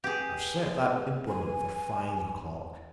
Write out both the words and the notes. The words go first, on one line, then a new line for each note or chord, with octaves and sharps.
I've set that implement for five o'clock.
G4 G#4 B4
G#5